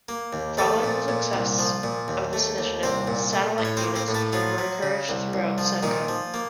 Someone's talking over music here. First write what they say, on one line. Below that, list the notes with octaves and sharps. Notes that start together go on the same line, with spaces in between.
Following the success of this initiative, satellite units were encouraged throughout Semco.
A#3
D#2
F3 A3 A4
A#2
A#2
C2
F3
A#2
D#2
A3
D#2
C2 C4 C5
A#2
A3
A2
C#5
C4 C5
A#3
C4 C5
A2
A3 A4
F3 F#3 F4
F#3
C#3
C2
C2
F3
A#2 D#3 D#4
F3
A#3